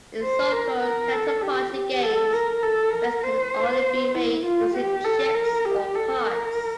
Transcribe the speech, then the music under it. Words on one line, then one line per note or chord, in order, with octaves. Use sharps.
In so-called counterparty games, bets can only be made using chips or cards.
C5
A#4
A#4
A4
G4
G4
A4
A#4
A4
A#4
C5
E4
F4
G4
A4
A#4
G4
A4
A#4